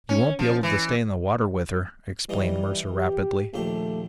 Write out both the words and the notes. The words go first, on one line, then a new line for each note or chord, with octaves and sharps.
"You won't be able to stay in the water with her," explained Mercer rapidly.
C#4
F3
E3
E3 G3 D#4
G4
A#1 D#2 A3 G4